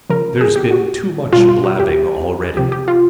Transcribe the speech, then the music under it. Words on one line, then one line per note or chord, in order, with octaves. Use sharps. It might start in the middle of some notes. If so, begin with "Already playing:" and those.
"There's been too much blabbing already."
C#3 F3 A#4
G#4
G4
F#4
B2 G3 F4
F4
F#4
G4
C3 F3 G4
G4
F4